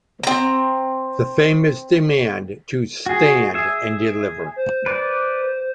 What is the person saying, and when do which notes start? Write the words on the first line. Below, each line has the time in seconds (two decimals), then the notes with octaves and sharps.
The famous demand to Stand and deliver!
0.23 C4 A#5
3.06 F#4 G#4
3.54 G#4 E5
4.56 C5
4.86 B4 D5